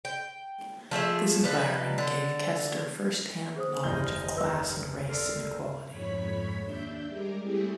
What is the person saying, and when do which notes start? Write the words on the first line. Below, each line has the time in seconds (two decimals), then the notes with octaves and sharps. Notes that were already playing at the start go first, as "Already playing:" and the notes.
This environment gave Kester first hand knowledge of class and race inequality.
0.05 G5
0.91 F3 A3 G#4 E5
1.43 F3 G3 D#4 B4
1.98 D3
3.56 G#4 C5 D#6
3.84 F1 D2 G2 E3 D#5 G6
4.36 B4 E5 E6
5.08 A4 A#4 C5 D5
5.89 F2 G#2 C#5 B5 B6
6.64 D#2 D4 E5 G6
7.06 G3 G#3 A#4 D6
7.42 G3 A3 C4 E4 G4 G#4